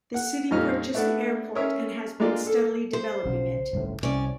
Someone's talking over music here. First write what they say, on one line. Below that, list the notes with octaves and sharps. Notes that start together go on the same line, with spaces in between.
The city purchased the airport and has been steadily developing it.
F#5
F2 A#2 G3 C#4 D#4 F6
A3 B3 D4 D5 F#5
C#4 A#4 C#5 E5
G#3 A#3 D4 F4 D5
A4
C5
B1 C#3 F#3
G1 C#2 A2
C2 C3 C#4 D5